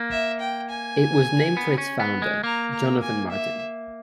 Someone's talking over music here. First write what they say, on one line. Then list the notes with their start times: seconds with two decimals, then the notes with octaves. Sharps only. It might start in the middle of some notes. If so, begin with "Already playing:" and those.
It was named for its founder, Jonathan Martin.
Already playing: A#3
0.11 E5
0.40 G5
0.70 G#5
1.57 B3
1.78 C#4
2.00 B3
2.22 G#3
2.44 A#3 A#5
2.73 A#5
3.02 G#5
3.31 E5